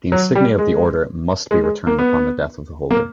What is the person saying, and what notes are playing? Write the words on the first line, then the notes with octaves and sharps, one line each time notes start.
The insignia of the Order must be returned upon the death of the holder.
F#3
G3
G#3
G#3
G#3
A#3
B3
A#3